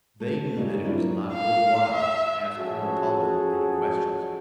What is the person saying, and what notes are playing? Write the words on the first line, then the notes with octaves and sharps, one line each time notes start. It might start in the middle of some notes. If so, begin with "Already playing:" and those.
They knew that it was not worth while to ask Colonel Talbot any questions.
A3
G#2 C#3 G3
F#3 A#3 C4 D4 E4 F4
F5
E5
F3 C#4 F#4 G#4 A4